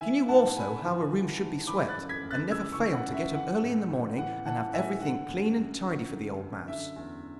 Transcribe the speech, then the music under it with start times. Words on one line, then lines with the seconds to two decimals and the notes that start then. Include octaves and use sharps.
She knew also how a room should be swept, and never failed to get up early in the morning and have everything clean and tidy for the old mouse.
0.01 E3 E5 G#5
0.28 G#2 F#5 A5
0.57 G#2 G#5 B5
0.84 E3
1.13 E3
1.40 G#2
1.67 E3 B5 D6
1.88 F#6 A6
1.95 F#2
2.09 G#6 B6
2.23 F#2
2.31 F#6 A6
2.51 E3 E6 G#6
2.72 C#6 E6
2.79 E3
2.92 F#5
3.07 F#2
3.14 E5
3.35 E3 F#5
3.63 A2
3.90 A2
4.17 E3 F#5
4.46 E3 F#5 A5
4.73 A2 E5 G#5
5.01 D3 F#5
5.29 F#2
5.57 F#2
5.85 D3
6.13 D3
6.40 F#2
6.68 D3 E5
6.96 E2